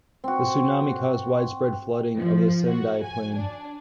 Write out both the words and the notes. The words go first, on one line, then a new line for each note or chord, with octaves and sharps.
The tsunami caused widespread flooding of the Sendai plain.
C4 F#4
F3
F#4
G#5
D4